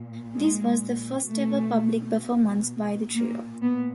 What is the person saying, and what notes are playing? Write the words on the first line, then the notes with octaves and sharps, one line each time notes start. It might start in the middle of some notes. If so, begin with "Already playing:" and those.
This was the first ever public performance by the trio.
Already playing: A#2
G#3
B2 A3
A#2 A#3
B3